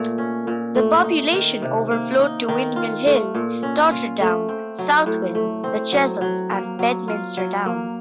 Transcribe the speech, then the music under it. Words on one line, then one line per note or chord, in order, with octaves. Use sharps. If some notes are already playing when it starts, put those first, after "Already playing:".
The population overflowed to Windmill Hill, Totterdown, Southville, the Chessels and Bedminster Down.
Already playing: A#2 A3
C#4
A#2
A3
D#4
D#3
C3
A#3
D#4
D#3
F4
A3
A#2
C#4
F4
A3
C4
F#3
A2
A3
C4
F#3
F#3
A#3
F#3
F4
F#3
A#3